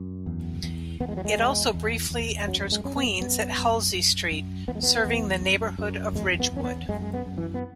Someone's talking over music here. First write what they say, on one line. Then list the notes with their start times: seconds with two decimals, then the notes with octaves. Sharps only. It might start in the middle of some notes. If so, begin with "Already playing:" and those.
It also briefly enters Queens at Halsey Street, serving the neighborhood of Ridgewood.
Already playing: F#2
0.26 E2
0.63 E2
1.00 E2 B3
1.08 G#3
1.17 F#3
1.25 G#3
1.37 E2
1.74 E2
2.11 E2
2.47 F#2 F#3
2.72 G#3
2.84 F#2 C#4
2.96 B3
3.21 F#2 B3
3.58 F#2
3.94 F#2
4.31 F#2
4.68 E2 B3
4.75 G#3
4.83 B3
5.05 E2
5.42 F#2
5.79 F#2
6.15 E2 G#3
6.40 B3
6.52 E2 C#4
6.64 B3
6.89 F#2 G#3
7.02 G#3
7.14 B3
7.26 F#2
7.38 E3
7.54 B3